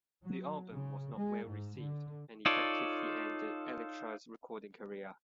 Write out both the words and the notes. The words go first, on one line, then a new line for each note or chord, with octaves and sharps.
The album was not well received and effectively ended Electra's recording career.
F#3
C#3
G#3
G#2
D3
D#4 F4 A4 C#5 D5